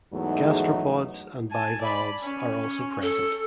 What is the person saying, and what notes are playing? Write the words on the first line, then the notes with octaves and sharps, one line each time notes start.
Gastropods and bivalves are also present.
E2 G#2 F#3 A3 B3 D#4
G#5 A5
D5 B5
C#4
A4